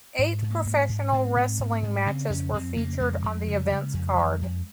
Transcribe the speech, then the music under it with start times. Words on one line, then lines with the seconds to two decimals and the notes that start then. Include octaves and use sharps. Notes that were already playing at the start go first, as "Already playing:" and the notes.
Eight professional wrestling matches were featured on the event's card.
0.19 G#2
0.42 G#2
0.50 A#3
0.65 G#2
0.89 G#2
1.12 G#2 C4
1.37 G#2
1.60 G#2
1.83 G#2
2.06 C#3 C4
2.30 F2 C#4
2.53 F2 C4
2.77 C#3 A#3
3.00 F2 G#3
3.24 F2
3.48 C#3
3.70 C#3
3.94 F2
4.18 F2
4.41 F2